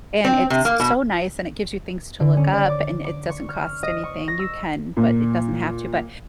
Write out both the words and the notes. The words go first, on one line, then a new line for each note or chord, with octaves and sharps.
and it's so nice and it gives you things to look up and it doesn't cost anything, you can, but it doesn't have to, but,
C4
C3
A#3
B2
D3
C#4
D5
D6
D6
C#6
F6
D#5
C#6
A#6
E6
A#2